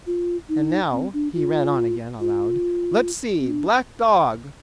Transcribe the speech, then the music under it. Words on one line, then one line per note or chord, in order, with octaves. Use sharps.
And now," he ran on again, aloud, "let's see--Black Dog?
F4
D#4
C4
D4
F4
F4
C4
D4